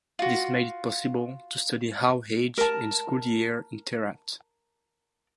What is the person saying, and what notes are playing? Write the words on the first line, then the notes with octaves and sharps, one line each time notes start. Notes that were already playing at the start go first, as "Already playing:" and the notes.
This made it possible to study how age and school year interact.
F4 F#4
A#4 A5